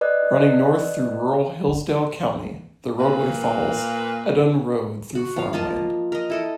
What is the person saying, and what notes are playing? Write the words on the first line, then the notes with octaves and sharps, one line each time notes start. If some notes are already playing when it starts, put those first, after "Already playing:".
Running north through rural Hillsdale County, the roadway follows Edon Road through farm land.
B4 D5 D#5 F#6
A#2 A#3 B4
F#4
F3 F5
A#3 F4 D#5 A5
A#4 D#5
E4 A4 D#5